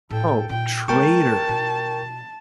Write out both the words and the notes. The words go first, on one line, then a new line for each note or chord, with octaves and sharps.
Oh, traitor.
A2 A4 G5
A#2 F4 G5
G#3 A#3 A#4 G5 A5 C#6
B2